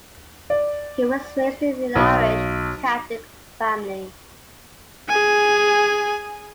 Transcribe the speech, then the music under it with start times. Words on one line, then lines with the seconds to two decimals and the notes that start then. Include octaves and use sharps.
He was raised in an Irish Catholic family.
0.50 D5
1.96 B1
5.09 G#4 G#5